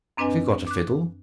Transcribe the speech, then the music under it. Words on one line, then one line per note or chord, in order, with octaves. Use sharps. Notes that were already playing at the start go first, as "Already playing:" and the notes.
"Have you got a fiddle?"
F#2 C4 D4 B4 D#5 G#5
D6 F#6